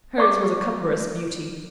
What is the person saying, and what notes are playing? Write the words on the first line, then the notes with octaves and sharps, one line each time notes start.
Hers was a cumbrous beauty.
D5 C#6 D6